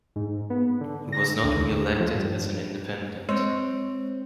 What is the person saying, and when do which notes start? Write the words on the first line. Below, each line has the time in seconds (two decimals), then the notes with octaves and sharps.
He was not re-elected as an independent.
0.16 G#2
0.50 B3
0.81 D3
1.12 A#6
1.43 D2
1.56 D#2
2.00 F3
2.15 G2
3.29 G#3 C4 C5 C#5